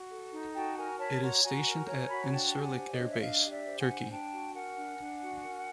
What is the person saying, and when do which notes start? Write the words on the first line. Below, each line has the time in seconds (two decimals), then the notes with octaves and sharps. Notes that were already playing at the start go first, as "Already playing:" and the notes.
It is stationed at Incirlik Air Base, Turkey.
Already playing: F#4
0.10 A4
0.32 D#4
0.55 F#4 G5 A5
0.77 A#4 G#5 A#5
0.99 C#5 A5 B5
1.21 F#4 A#5 C6
1.43 F#4 G#5 A#5
1.66 A#4
1.87 C#5 G#5 A#5
2.09 F#4 B5
2.21 A#5
2.32 D4 G5 A5
2.55 G4
2.62 F#5 G#5
2.76 C5
2.87 D5
2.91 C#5 D#5
2.99 D4
3.10 E5
3.20 D4 D#5 F5
3.44 G4
3.50 D5 E5
3.65 C5
3.80 F#5 G#5
3.88 D4
4.10 D4 G5 A5
4.32 F#4
4.54 A#4 F#5 G#5
4.76 D4
4.98 D4
5.21 F#4
5.43 A#4